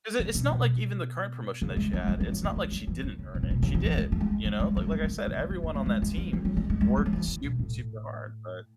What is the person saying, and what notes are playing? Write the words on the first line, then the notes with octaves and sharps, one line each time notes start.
'cause it's not, like, even the current promotion that she had, it's not like she didn't earn it, she did, you know, but like like I said, everyone on that team worked super, super hard, but
C#3
B2
B2
C#3
G#3
A3
G#3
F#3
E3
A3
G#3
F#3
E3
D#3
C#3
B2
C#3
B2
C#3
D#3
E3
G#3
A3
G#3
F#3
G#3
A3
G#3
D#3
C#3
E3
F#3
A3
G#3
G#3
G#3
E3
F#3
F#3
G#3
G#3
G#3
G#3
F#3
E3
D#3
B2
A2